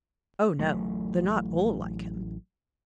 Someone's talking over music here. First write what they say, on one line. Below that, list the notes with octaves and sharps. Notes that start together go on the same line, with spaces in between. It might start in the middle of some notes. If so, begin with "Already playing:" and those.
"Oh no; they're not all like him."
A1 F#3 A3